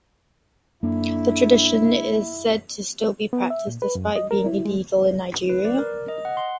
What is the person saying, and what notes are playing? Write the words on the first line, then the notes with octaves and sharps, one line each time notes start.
The tradition is said still be practiced despite being illegal in Nigeria.
F#2 D3 A#3 E4
B3
E5
A#2
B4
F#2
D#5
A#4
E4
G#3
B4
D5
A#4
D#5
F#5
C6